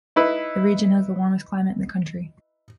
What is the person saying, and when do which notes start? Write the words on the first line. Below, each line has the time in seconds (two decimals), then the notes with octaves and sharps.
The region has the warmest climate in the country.
0.16 D#4 E4 B4